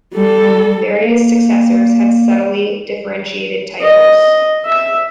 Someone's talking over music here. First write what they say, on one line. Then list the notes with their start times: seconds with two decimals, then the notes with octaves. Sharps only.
Various successors have subtly differentiated titles.
0.13 G3 A4
1.01 A#3
3.81 D#5
4.65 E5